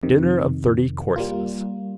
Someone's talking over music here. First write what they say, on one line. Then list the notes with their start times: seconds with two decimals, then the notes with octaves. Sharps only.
Dinner of thirty courses.
0.03 F2 C3 D#3
1.16 G3 A#3 F4